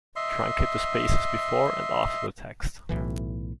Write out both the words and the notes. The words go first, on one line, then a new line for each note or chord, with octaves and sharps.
Truncate the spaces before and after the text.
D#5 E5 C6
B1 A2 E3